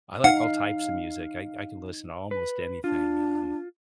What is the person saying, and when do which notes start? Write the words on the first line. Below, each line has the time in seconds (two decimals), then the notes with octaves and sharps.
I like all types of music. I I can listen to almost anything, um,
0.24 D#4 F5 F#5
2.31 B4
2.84 D4 F4